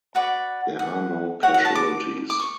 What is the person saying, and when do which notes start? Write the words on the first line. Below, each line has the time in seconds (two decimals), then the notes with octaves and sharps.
There are no casualties.
0.15 F#4 B4 D5 F#5
0.79 F#5
1.43 F#4 C#5 F#5
1.54 F#5
1.65 A5
1.75 D6
2.30 D6
2.40 C#6